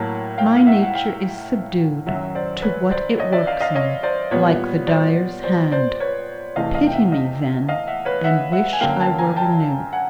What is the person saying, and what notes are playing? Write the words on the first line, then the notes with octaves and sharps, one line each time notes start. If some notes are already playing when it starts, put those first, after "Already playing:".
"My nature is subdued To what it works in, like the dyer's hand: Pity me, then, and wish I were renewed!"
Already playing: A2 F#3 A#3 A5
F5 G5
F5
E5 F#5
F#5
F5 G5
F#2 D#3 F#3 E5 F#5
C5 D5
B4 C#5
C5 D5
C#5 D#5
D5 E5
D#5 F5
D#5 F5
C#5 D#5
C5 D5
A#2 G3 B3 B4 C#5
C5 D5
C5 D5
C5 D5
B4 C#5
E2 C3 E3 A3 D#5 F5
D#5 F5
G5
E5 F#5
D#5 F5
D#5 F5
E5 F#5
B4 C#5
E5 F#5
E5 F#5
G#5
F#2 D3 F#3 A#3 F5 G5
G5 A5
G#5 A#5
G5 A5
F#5 G#5